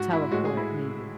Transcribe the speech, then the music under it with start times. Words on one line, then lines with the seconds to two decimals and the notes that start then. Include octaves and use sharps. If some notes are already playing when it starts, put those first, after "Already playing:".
teleport, maybe.
Already playing: G#2 F#4
0.13 E4
0.31 A2 G#3 F#4
0.45 G#4
0.57 E4